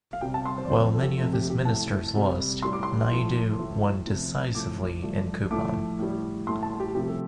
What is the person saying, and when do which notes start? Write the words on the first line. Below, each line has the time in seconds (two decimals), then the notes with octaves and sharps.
While many of his ministers lost, Naidu won decisively in Kuppam.
0.13 F5
0.21 C3 G3 G5
0.34 A5
0.45 C6
0.58 C5
0.65 D5
0.69 F2 D3 F3 C5
0.94 A4
1.02 G4
1.18 F2 C3 A3 F4
1.33 G4
1.50 G4
1.65 A2 A3 A5
2.14 C3 G3
2.62 A2 G3 C6
2.73 D6
2.83 C6
3.10 A2 F3 A3
3.59 A2 F3 A3
4.07 C3 F3 A3
4.55 A2 F3 A3 D6
5.02 G2 F3 A3
5.51 A2 F3 A3 D6
5.99 A2 G3
6.47 A2 A3 C6
6.63 A5
6.80 G4
6.95 C3 F3 A3 G4
7.08 A4